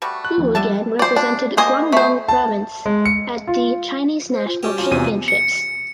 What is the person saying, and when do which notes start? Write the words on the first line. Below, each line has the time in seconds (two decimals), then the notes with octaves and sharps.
Ou again represented Guangdong province at the Chinese National Championships.
0.02 G3 A3 F#4
0.25 F#6
0.37 D#2 F3
0.55 D3 G3 E5 A5
0.99 C5 D5
1.16 D4
1.57 A#3 C5 D#5 G#5
1.92 A3 C5
2.28 A5
2.86 G#3
3.05 C#7
3.47 F4
4.31 C5
4.47 F4
4.63 G3 C#4 F#4 G4
4.78 F3 A#3 C#4 F#4
4.91 E2 C3 D#7
5.28 C#7